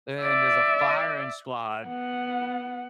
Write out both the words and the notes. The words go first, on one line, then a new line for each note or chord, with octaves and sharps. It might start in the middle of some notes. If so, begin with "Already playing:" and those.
and there's a firing squad
D5 E5
B3 F#5